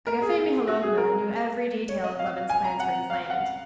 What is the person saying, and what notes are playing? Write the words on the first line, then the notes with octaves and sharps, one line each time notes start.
Agafea Mihalovna knew every detail of Levin's plans for his land.
A#4
G#4
F#4
G#4
A#4
C#5
D#5
F5
G#5
A#5
F#5
F5
F#5
F5